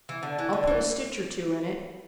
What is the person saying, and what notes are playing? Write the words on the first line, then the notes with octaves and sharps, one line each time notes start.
I'll put a stitch or two in it.
E3
D3
E3
D3
E3